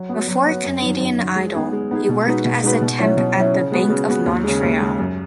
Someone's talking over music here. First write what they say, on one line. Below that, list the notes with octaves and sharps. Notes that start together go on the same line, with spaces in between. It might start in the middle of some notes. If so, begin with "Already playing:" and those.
Before "Canadian Idol", he worked as a temp at the Bank of Montreal.
Already playing: F#3
B3 F#4
F#3
B3 F#4
F#2
D#3 F#3
F#2
D#3 F#3
G#3
B3 D#4 G#4
G#3
B3 D#4 G#4
B2
G#3 D#4 F#4 B4
B2
G#3 D#4 F#4 B4
B2
F#3 C#4 E4
B2
F#3 C#4 E4
C#3
G#3 B3 F#4
C#3
G#3 B3 F#4
D#2
C#3 G#3
D#2
C#3 G#3
F#2